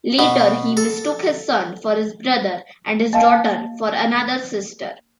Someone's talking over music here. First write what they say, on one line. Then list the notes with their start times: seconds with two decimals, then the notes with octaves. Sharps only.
Later he mistook his son for his brother and his daughter for another sister.
0.19 B2
0.77 A4
3.13 A#3 D#5 F5 A5